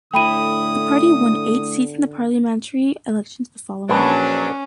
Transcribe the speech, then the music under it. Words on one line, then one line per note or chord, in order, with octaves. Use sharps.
The party won eight seats in the parliamentary elections the following year.
D3 A3 E4 G5 B5 D#6 D#7
A#1 F#3 C#4 D4 B4 A5